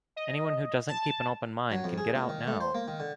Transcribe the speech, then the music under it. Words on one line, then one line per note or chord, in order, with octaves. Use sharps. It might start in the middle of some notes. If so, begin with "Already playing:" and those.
Anyone who doesn't keep an open mind can get out now!
D#5
A5
F#3
F2
G#4
A#2
D#3
A3
C5
A#3
D#3
D3